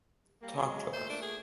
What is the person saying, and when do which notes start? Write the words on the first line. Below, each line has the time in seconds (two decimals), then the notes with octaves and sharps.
Talk to us.
0.41 G3 A#3
0.57 F#3 G#3
0.93 A#2 A3 C5
1.09 D4
1.22 G#4